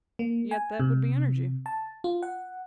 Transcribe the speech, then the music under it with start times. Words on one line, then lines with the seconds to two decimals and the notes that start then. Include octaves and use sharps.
Yet that would be energy.'
0.19 A#3
0.51 G#5
0.80 C3
1.66 A5
2.04 F4
2.23 F#5